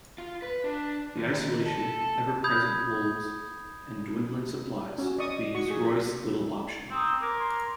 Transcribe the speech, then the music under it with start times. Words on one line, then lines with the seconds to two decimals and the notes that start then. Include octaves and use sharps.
The isolation, ever-present wolves and dwindling supplies leaves Royce little option.
0.18 F4
0.42 B4
0.64 D4
1.17 D#2
1.66 A4
2.44 B5 D#6 G6 G#6
4.98 C#4 F#4
5.18 D5 D#5 C#6 D#6
5.55 F#4 C#6
5.70 G#4
6.91 C4 A#5 D#6
7.22 A#4 D6 G#6
7.40 C6